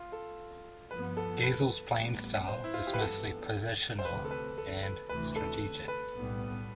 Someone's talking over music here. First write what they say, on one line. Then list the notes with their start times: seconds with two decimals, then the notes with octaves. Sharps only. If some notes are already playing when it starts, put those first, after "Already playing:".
Gausel's playing style is mostly positional and strategic.
Already playing: F4
0.12 A4
0.90 G2 F3 B3 B4
1.17 A4
1.43 B4
1.95 A1 A2 G3 B3
2.48 C5
2.64 E4
2.74 F4
2.87 G4
2.94 B4
3.00 G2 E3 B3 A4
3.99 C5
4.05 D2 C3 F3 B4
4.25 A4
4.31 B4
4.58 A4
4.83 B4
5.09 D2 C3 E3 B4
5.36 A4
5.88 B4
6.14 B1 A2 G3 B3